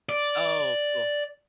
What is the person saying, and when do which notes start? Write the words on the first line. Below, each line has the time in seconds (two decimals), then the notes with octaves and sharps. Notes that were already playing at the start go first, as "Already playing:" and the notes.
Oh, cool.
0.09 D5